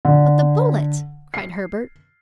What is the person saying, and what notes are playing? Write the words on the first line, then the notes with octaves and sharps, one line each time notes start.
"But the bullet," cried Herbert.
D3
C7